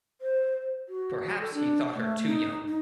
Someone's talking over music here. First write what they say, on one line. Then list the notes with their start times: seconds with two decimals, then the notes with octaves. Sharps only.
Perhaps he thought her too young.
0.21 C5
0.89 F#4
1.40 A4
1.54 D4
1.95 A3
2.26 D#4
2.68 D#4